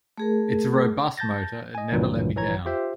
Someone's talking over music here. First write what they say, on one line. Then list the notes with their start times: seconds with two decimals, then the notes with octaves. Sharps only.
It's a robust motor, it never let me down.
0.18 A3 G#4 A#4
1.17 A5 G6 A6 A#6
1.75 D#5 G#5
1.92 C#2 G2 A#2 D#3 E3 F#3
2.36 A#1 E3 C#5 A#5 G#6
2.66 F4 G4 C5 E5